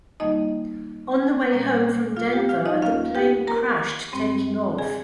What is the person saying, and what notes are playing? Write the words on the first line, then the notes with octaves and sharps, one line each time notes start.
On the way home from Denver the plane crashed taking off.
F2 D#3 G3 A#3 D#4 D#5
A#2 G3 A#3 C#4
F4 F5
G4 G5
F4 F5
D#4 D#5
D#2 D#3 A#3 C#4 F4 F5
G4 G5
A#4 A#5
G2 G3 C4
G#4 G#5